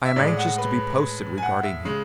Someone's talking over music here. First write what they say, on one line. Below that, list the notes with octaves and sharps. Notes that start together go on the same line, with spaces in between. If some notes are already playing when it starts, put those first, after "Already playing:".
I am anxious to be posted regarding him.
E5
A2 G#3 D5
F#5
B4
G#5
F#5
E5
C#3 G#3